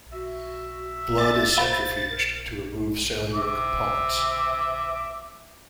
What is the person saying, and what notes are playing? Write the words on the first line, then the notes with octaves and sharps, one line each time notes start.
Blood is centrifuged to remove cellular components.
F#4 E5
F4 A6
C5 F5 B5
A#4
E5 D6